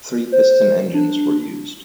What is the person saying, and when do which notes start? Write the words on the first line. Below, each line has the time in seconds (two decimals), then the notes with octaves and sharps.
Three piston engines were used.
0.32 C5
0.94 D4